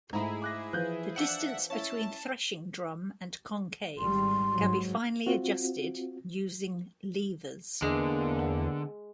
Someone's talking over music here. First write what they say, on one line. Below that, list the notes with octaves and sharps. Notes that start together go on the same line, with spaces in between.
The distance between threshing drum and concave can be finely adjusted using levers.
G#2 A3 E4 G#4 A#5 B5
D6 F#6 A#6
E3 F3 F#6 G6
D4 E5 F#5 E6 C#7
C#4 E4 A5
G#1 G3 C6
G#2 F#3
C4 F4 F#4
E2 D3 G#3 A#3 B3